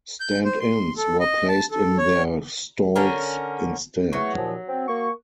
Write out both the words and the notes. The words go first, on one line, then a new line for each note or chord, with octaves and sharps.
Stand-ins were placed in their stalls instead.
G6
C5
C6
A4
D#5
A5
A4
C#5
D3 C#4 A#4
E2 F#3 A3 C#6
D#2 A#2 F3
C4
A#3 C#6